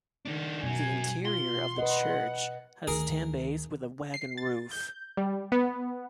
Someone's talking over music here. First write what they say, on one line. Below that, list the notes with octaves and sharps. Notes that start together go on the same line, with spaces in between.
The interior of the church has ten bays with a wagon roof.
D#3 D4
F#2 B2 F#3 G#5
F4 C6
B4 D#5 F#5
D2 D#3 G#4 A#4
C7
A6
G6
G3
B3